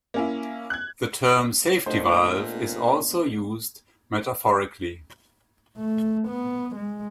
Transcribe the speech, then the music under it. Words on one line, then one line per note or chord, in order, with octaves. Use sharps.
The term "safety valve" is also used metaphorically.
A#3 C#4 E4
F#6 G#6
A#2 A3 B3 D4 D#4 C5
A3
B3
G#3